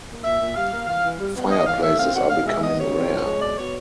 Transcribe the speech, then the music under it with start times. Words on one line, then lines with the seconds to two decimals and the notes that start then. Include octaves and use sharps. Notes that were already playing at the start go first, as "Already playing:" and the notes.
Fireplaces are becoming rare.
0.08 A#3
0.24 A#2 E5
0.40 A#2
0.56 G3 F5
0.72 A#3
0.87 E3 F5
1.04 E3
1.20 G3
1.35 B3
1.51 E3 D#5
1.67 E3 F5
1.83 A3 E5
1.98 C4 F5
2.14 B2 F#5
2.30 B2 F5
2.46 G#3 E5
2.61 B3 D#5
2.78 C3 C#5
2.93 C4
3.09 F3
3.25 G#3
3.41 B2 D5
3.57 B2 C#5